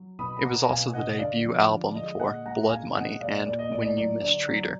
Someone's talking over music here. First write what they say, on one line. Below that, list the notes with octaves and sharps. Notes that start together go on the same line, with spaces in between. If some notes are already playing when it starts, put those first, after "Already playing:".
It was also the debut album for "Blood Money" and "When You Mistreat Her".
Already playing: F#3
B2 B5 D#6
B5
B2 F#5 A#5
B2 F5 G#5
D3 D#5 F#5
D3 D5 F5
F3
D3
G#3 D#5
A#2 D#5 F#5
G#3 F#5 A#5
A#2 F5 G#5
G#3 D#5 F#5
A#2 D5 F5
A#2 D5
D#5
A#2 D5
D#5
D5
F#3 D5
D3 D5
F#3